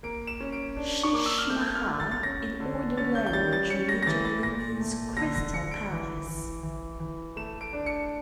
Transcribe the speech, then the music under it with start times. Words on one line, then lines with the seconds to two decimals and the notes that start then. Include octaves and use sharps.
"Sheesh Mahal", in Urdu language, literally means 'Crystal Palace'.
0.03 A#3 D7
0.27 E7
0.40 C#4
0.52 D7
0.76 D4
1.03 C#6
1.13 A#3 D6
1.26 E6
1.38 F6
1.50 A3 G6
1.75 F6
1.87 A3
2.00 A6
2.11 A6
2.23 C#4 A#6
2.60 D3
2.97 C#4 A6
3.15 G6
3.27 G6
3.33 G3 A6
3.53 A6
3.70 C#4 C#7
3.89 A#6
4.02 A#6
4.06 E3 A6
4.25 A6
4.43 A#2 A#6
4.80 A3
5.17 D3 A#6
5.35 A#6
5.54 D3 C#7
5.71 D7
5.91 E3
6.28 E3
6.63 E3
7.00 E3
7.36 A3 E7
7.61 D7
7.73 D4
7.86 C#7